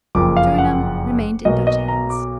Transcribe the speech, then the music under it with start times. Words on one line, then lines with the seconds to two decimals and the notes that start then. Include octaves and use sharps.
Surinam remained in Dutch hands.
0.15 F#1 F2 F3 A#3 D6
0.37 F5
0.58 F#5
1.45 B1 B2 A#3 D#5
1.67 D#5
1.88 A#5
2.10 D6